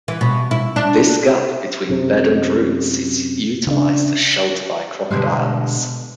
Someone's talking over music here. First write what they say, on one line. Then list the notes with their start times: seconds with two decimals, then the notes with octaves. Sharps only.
This gap between bed and roots is utilised as shelter by crocodiles.
0.08 E3
0.21 B2
0.51 E4
0.76 D4
1.89 F#2 C3
3.67 C#3 D4
5.11 B2 D3 D#3 G3 G#3